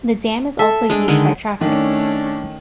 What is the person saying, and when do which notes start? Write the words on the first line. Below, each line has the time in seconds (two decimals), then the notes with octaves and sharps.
The dam is also used by traffic.
0.59 A4 E5
0.90 G#3 D4
1.08 D3 D#3 G#3
1.61 D#3 A3 C#4 D4